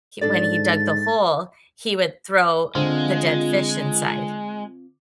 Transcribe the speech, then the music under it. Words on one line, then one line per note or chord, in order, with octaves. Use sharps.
he when he dug the hole, he would throw the dead fish inside
G#2 D4 A4 D5 A6
D3 G#3 C4 F4